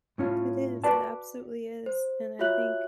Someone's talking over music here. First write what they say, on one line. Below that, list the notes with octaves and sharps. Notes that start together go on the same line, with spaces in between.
It is, it absolutely is, and I think
A2 C#4 F4
F#4 B4 D5 A5
C5
F4 F#4 C#5 E5 F#6 F#7